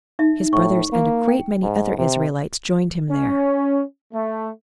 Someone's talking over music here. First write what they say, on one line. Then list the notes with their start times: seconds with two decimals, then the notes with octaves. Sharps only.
His brothers and a great many other Israelites joined him there.
0.19 D#4 E5
0.53 A2 C#6
0.92 A#3
1.28 G5
1.62 G#2
1.98 C3
3.11 C#4
4.14 A3